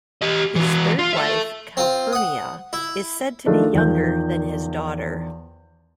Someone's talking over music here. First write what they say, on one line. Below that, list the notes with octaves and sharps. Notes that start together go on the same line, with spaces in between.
His third wife Calpurnia is said to be younger than his daughter.
G4 D#5
E3 F#4
F4
A4 E5
C4 F4
F#5 D#6
E4
D#3 F3 A3 D4 D#4
E2 D#3 F3 G6